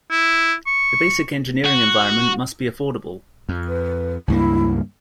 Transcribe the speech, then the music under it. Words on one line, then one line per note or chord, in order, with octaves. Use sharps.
The basic engineering environment must be affordable.
E4
C#6
F#4
F2
B4
C#2 G2 A#3 E4